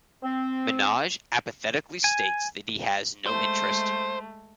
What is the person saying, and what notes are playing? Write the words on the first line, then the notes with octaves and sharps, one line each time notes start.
Manoj apathetically states that he has no interest.
C4
G#5
G#3 A3 C5